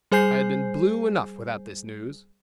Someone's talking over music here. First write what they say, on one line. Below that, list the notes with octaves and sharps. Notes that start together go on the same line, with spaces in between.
I had been blue enough without this news.
G3 G#4 C5 G#5 G6 C7